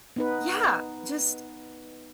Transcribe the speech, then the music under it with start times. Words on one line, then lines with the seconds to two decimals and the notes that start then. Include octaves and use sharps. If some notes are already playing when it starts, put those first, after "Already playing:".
yeah, just
0.16 B3 D#4 B4